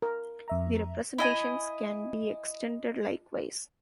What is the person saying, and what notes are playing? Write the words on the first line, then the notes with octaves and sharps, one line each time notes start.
The representations can be extended likewise.
A#4
F2 E5 A#5
E4 D#5 G#5